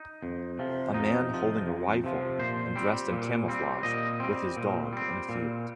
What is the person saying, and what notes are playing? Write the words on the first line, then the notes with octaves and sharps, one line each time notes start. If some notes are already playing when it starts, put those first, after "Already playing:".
A man holding a rifle and dressed in camouflage with his dog in a field.
Already playing: D#4
F2
C3 F3
F2 D#4
C3 F3
F2
C3 F3
A#2 C5
G3 C4
A#2
G3 C4
A#2 D#5
G3 C4
A#2
G3 C4
A#2